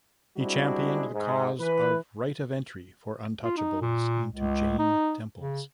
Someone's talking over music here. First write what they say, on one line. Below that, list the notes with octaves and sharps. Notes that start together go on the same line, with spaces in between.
He championed the cause of right of entry for untouchables into Jain temples.
G3 G#3 C4 D4 E4 F#4
G#2
E3 B4
F4
D#4
A#2
C#2
D#4
C#3